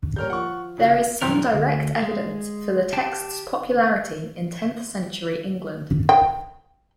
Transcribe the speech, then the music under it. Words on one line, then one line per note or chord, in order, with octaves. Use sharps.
There is some direct evidence for the text's popularity in tenth-century England.
G3 A#3 A#4 C#5 F6 G6
F3 F#5 C#6
C#3 F#4 E5
B1 F#2 E3 G3 B3 A#4
D2
G#3
G4 G5 A5
G5